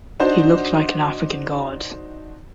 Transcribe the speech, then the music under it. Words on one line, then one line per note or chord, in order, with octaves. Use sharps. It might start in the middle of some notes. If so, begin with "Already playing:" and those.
He looked like an African god.
D4 D#4 F#4 C5